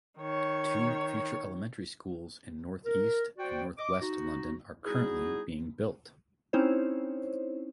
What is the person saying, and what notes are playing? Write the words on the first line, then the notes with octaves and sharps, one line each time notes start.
Two future elementary schools in Northeast and Northwest London are currently being built.
D#3 C#5
A#4
F#4 C5 D5 G5
D#5 D6
D#4 F#4
G3 B3 D#4 E4 F#4 G#4
C4 C#4 D#4 E4 C5 C#5